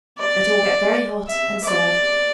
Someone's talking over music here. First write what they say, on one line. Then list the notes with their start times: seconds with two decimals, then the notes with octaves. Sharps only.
Let all get very hot and serve.
0.19 D5
1.28 E5
1.64 D5